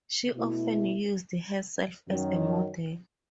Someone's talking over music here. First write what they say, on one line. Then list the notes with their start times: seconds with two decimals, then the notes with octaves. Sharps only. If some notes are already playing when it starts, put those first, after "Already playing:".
She often used herself as a model.
0.33 B2 A3 E4
2.08 F#2 D#3 F#3